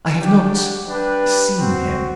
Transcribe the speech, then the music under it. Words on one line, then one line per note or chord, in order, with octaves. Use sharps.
"I have not seen him."
A3 D4 G4
F#5
G3 D4 G4 B4
C4 F#4